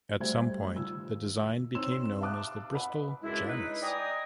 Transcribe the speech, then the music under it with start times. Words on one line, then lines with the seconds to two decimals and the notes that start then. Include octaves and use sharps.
At some point the design became known as the Bristol Janus.
0.20 G3 A3 C5 E5 G#6
0.76 D#3 F4 E6
1.75 C4 D#4 C#5 C6 E6 E7
2.21 E5 F5 A5 D6 D#6 F#6
2.72 B4 D#5 F#5 B5
3.23 C#2 F#2 G#3 D4 E4
3.47 D#4 B4
3.82 D5 D#5 G5 G#5 A#5 D#6